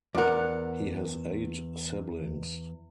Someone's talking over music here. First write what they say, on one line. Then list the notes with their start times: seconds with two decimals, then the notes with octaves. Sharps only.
He has eight siblings.
0.15 E2 A#4 D5 F#5